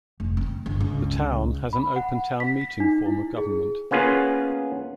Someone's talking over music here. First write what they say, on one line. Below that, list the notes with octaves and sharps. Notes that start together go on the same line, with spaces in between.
The town has an open town meeting form of government.
F1
C4
G1
C#2
B5
F#5
B6
B6
D#4
E4
G#4
A#3 B3 C#4 F4 G#4